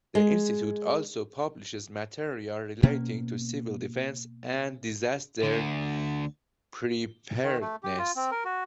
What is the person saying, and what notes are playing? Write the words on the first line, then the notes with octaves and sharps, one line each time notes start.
The institute also publishes material relating to civil defense and disaster preparedness.
G#3
B2 A#3 C#4
D2 D3
D#3
A3
G4
F4
C4
A#4
F#4